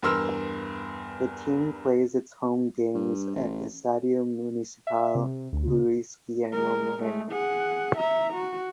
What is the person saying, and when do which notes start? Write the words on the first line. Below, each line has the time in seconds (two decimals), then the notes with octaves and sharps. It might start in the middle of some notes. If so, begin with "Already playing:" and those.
The team plays its home games at Estadio Municipal Luis Guillermo Moreno.
0.03 E2 G2 A#4 C6 E6 F6
2.94 G2
3.36 A1
4.87 E5
5.15 C3
5.52 D2
5.67 C#3
6.53 G#3 A#4
7.00 G#3 A3
7.32 G#4 F#5
7.97 E5 A#5
8.34 F#4